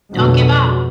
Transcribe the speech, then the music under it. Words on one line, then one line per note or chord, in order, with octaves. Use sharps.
Don't give up!.
F2 B2 D3 F#3 G#3